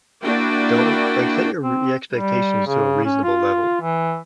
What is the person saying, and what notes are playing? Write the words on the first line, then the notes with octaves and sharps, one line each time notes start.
don't, like, set your re your expectations to a reasonable level,
A#3 D4 E4 F#4 D5 G5
C4
G3
C#3
C#4
F4
E3